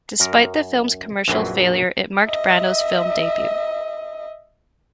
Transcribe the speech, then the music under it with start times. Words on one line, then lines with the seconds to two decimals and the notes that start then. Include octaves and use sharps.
Despite the film's commercial failure, it marked Brando's film debut.
0.20 F#2 A#4
1.28 A#1 F#2 E3 F#3 C4 B4
2.25 D#5 E5